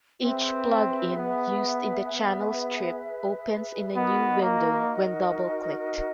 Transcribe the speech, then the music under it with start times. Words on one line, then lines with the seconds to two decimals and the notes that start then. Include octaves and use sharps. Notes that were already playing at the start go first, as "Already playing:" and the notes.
Each plug-in used in the channel strip opens in a new window when double-clicked.
0.22 C4 G#4 B4 E5
1.16 B3
2.10 B3
3.96 B3 D#4 F#4 A#4 D#5
4.43 A#3